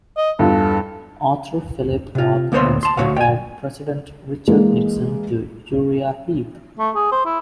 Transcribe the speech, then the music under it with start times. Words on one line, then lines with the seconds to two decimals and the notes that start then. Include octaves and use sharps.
Author Philip Roth once compared President Richard Nixon to Uriah Heep.
0.17 D#5
0.39 E2 G2 F4 A4
2.15 C3 F4
2.52 D2 A#3 B3 C5 C#5 C6
2.83 A5 C6
2.97 D2 F3 F#4 C#5 F5
3.16 G5 G#5
4.48 E3 G#3 A#3
6.79 A3
6.95 G#4
7.12 C5
7.25 E4